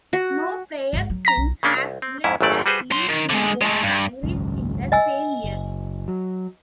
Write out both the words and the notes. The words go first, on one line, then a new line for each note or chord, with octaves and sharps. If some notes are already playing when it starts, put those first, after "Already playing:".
No player since has led the league in both categories in the same year.
F#4
G#1 G#2
F#3
A#5 A#6 B6
B1
C#3 A#3 C#4 D4
C2
C4
F2 G#2 C#4 E4
G#1 F#2 A#2 F#3 A3 D5
G3 F#4 G#4 B4 C5
F#3 C6
D#3
D3 G#3
G#3 A3
G2
G#1 C#2 F#2
D#5 G#5 E6
F#1
F#3